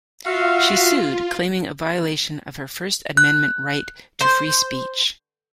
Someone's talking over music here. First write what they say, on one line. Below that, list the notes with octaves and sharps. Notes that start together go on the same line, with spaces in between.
She sued, claiming a violation of her First Amendment right to free speech.
F4 F#4 E5 F5
F#6
C5